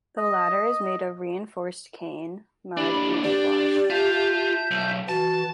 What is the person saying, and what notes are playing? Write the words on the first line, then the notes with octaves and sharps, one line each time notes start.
The latter is made of reinforced cane, mud and whitewash.
D#5
D#2 D4 E4 G4 B5
D4 G4 D5
F4 E5 A5 G6
B1
E3 F#4 A5 A6